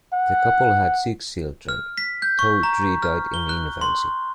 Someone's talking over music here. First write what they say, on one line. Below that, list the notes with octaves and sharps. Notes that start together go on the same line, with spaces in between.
The couple had six children, though three died in infancy.
F#5
F6
B6
G6
C#6
A#5
F6
G7
F#6
C6